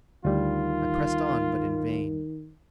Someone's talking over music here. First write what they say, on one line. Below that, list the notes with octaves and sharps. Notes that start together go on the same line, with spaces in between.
I pressed on, but in vain.
D2 D#3 G3 F4